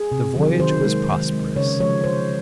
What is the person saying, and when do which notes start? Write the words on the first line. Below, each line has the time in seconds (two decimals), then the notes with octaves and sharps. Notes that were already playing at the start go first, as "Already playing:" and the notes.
The voyage was prosperous.
Already playing: G#4
0.12 C3
0.36 D#3 F#3
0.60 D#3 C5
0.84 G#3
1.08 D#3
1.32 G#3
1.56 C#3 C#5
1.80 F3 G#3 C#5
2.04 C#3 C5